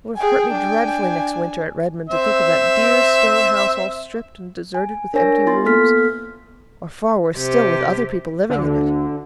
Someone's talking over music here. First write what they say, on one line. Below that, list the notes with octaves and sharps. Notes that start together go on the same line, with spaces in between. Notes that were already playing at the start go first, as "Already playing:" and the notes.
It would have hurt me dreadfully next winter at Redmond to think of that dear stone house all stripped and deserted, with empty rooms . . . or far worse still, with other people living in it.
G#4 G5 G#5
D4 G#5
C4 E5
G#5
D4 A#4 C#5 G#5 A#6
B3 E4 F4 C6 A6
A#3 B3 A4 F6 B6
C3 G4
D2 D3